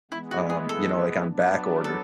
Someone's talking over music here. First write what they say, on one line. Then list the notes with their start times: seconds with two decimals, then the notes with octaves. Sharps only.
um, you know, like, on back order.
0.11 E3 G#3 B3 E4
0.31 F#4
0.50 G#4
0.69 A4
1.27 F#3 B3 D4
1.84 A4